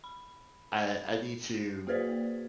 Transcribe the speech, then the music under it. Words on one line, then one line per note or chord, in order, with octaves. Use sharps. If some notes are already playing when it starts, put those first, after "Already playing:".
I I need to
B5
A#3 F#4 G#4 B4 C5 D5